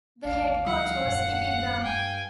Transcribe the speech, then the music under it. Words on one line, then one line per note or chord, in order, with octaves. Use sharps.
The head coach was Kippy Brown.
A1 D#2 F5
D2 F3 G3 F#5
D#1 F#2 A#2
G2 G5 G#5